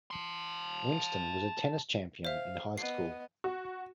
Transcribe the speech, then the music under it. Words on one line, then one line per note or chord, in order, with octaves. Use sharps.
Winston was a tennis champion in high school.
A5 C6
C5 E5 F5
B3 D#5 C7
F#4